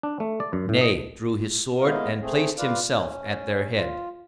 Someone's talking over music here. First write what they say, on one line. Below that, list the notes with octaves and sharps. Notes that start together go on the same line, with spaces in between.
Ney drew his sword and placed himself at their head.
D4
A3
D5
F#2
A2
D#5
G#3 A#3 B3 E4 D#5 F5
A3 C4 G#4
F4 B4 D5 F5
C#4
F4